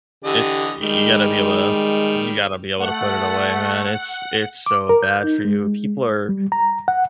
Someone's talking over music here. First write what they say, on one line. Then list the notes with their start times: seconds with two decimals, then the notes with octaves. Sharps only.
It's You gotta be able to You gotta be able to put it away, man, it's it's so bad for you. People are
0.24 D3 E3 G4 D#5
0.82 D#3 G3 G#3
2.80 A3 F#5
4.66 D6
4.89 A#4
5.03 G6
5.24 D#4
5.45 G#3
6.29 G3
6.52 A#5
6.88 F#5